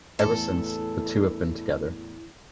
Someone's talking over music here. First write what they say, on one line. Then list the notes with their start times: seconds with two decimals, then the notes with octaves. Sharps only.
Ever since, the two have been together.
0.19 E2 A2 E4 A4